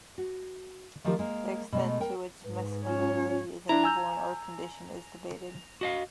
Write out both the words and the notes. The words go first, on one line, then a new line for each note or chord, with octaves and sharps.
The extent to which masculinity is inborn or conditioned is debated.
F#4
D#3 F3 A3 F4 G4 A#4
G#3 A#3
B2 G#3 A3
A#4 G5
G#2 B4
C#4 F4 C#5 G#5
D4 E4 A#5
G#5 E6 G6
F#4 D#5 F5